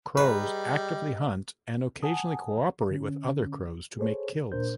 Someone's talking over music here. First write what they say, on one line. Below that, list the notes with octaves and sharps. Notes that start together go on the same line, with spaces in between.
Crows actively hunt and occasionally co-operate with other crows to make kills.
G3 G#4 B4 D#5 A#5
F#5 G#5 A5 D#6
D3 C#4
G#4 A4 C5 C#5
A#2 D4 A#4 C5 G6